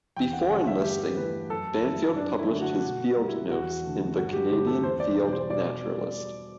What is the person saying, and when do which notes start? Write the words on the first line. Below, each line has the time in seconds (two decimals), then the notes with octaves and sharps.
Before enlisting Banfield published his field notes in the "Canadian Field Naturalist".
0.16 E2 G5
0.33 F#5
0.50 D3 F#3 A3 F#5
0.67 E5
0.84 G2 G4
1.17 E3 A3 B4
1.50 F#2 A4
1.83 E3 G3 E4
2.16 F#2 D4
2.38 E4
2.50 D3 F#3 A3
2.61 F#4
2.83 B2 F#4
3.16 G3
3.28 E4
3.50 E2 F#4
3.83 D3 A3
4.16 G2 F#4
4.33 G4
4.50 D3 F#3 A3 G4
4.67 A4
4.83 E2 C5
5.00 D5
5.16 B2 G3
5.33 C5
5.50 B2 D5
5.84 G3